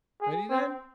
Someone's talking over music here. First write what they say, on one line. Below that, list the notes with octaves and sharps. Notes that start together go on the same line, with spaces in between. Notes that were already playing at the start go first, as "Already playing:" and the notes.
"Ready then!"
G#4
C4